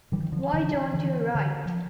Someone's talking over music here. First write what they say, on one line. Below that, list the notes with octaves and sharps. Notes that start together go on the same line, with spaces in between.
Why don't you write?
D3 E3 G3
E3
D3 F3
D3 E3
F3
E3
D3 E3
D3
F3